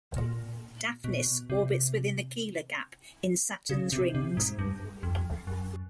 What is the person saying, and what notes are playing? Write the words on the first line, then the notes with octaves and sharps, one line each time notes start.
Daphnis orbits within the Keeler gap in Saturn's rings.
A#2
B2
C3
C#3
C3
C3
G#2
G2
F2
F#2